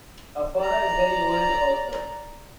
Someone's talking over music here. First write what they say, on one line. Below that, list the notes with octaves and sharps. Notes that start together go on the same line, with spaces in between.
Her father is very worried about her.
D5 A#5